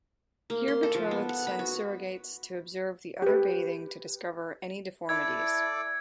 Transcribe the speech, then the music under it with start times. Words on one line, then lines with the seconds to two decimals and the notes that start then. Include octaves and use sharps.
Here betrothed send surrogates to observe the other bathing to discover any deformities.
0.50 A#3
0.68 C6
0.83 A4
0.94 F3
1.11 B3
1.29 F#5
1.47 B5
1.59 F#4
3.22 G4 B4
5.09 E4 A4 D5 G#6